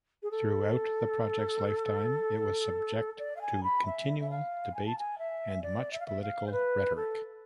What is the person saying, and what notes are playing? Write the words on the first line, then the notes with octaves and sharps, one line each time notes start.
Throughout the project's lifetime it was subject to continual debate and much political rhetoric.
G#4
A4
D5
F5
G#5
B5
E5
E5
F5
G#5
A5
G#5
E5
D5
E5
F5
E5
F5
C5
B4
A4